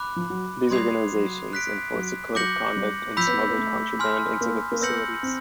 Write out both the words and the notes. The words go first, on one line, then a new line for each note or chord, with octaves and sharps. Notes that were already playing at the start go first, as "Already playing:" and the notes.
These organizations enforced a code of conduct and smuggled contraband into the facilities.
Already playing: B5 D6 F#6
F3
F#3
G3 C6 D#6 G#6 C7 F7
F#3
F#6 B6 D7
F#3
F#3 D6 G6 A#6 C#7 F#7
G3
F3 B5 E6 G6 B6
B3
B3
B3
A3
G#5 C6 F6
A#3
A#3
B3 E6 G6 A#6 C#7 F#7
C4